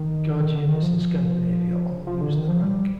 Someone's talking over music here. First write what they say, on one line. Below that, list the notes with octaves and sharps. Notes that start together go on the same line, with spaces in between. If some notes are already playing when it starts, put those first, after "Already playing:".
Guards units in Scandinavia all use the rank.
Already playing: D#3
D#3
D3
D#3
F3
F3
D3
D#3
F3
G3